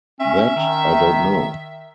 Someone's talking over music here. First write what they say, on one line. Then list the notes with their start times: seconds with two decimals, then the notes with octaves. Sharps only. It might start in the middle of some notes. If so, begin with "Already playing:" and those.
That I don’t know.
0.20 C#4 E5
0.56 D#3